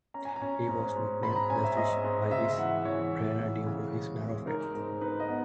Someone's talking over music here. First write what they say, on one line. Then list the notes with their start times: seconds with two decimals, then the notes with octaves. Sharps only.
He was nicknamed "The Fish" by his trainer due to his narrow frame.
0.14 C#4 A#5
0.25 G#5
0.36 A#5
0.42 C#4
0.68 G#2
0.96 G#2
1.23 G#2 B5
1.36 A#5
1.50 C#4 G#5
1.64 E5
1.77 G#2 D#5
2.04 G#2
2.31 C#3 E5
2.53 E5
2.58 E3 F#5
2.85 E3 C#5
3.12 E3
3.39 E3
3.66 C#3
3.94 G#3
4.20 G#3
4.47 D#4 A#4
4.74 G#2
5.01 D#4 B4
5.20 D#5
5.29 B3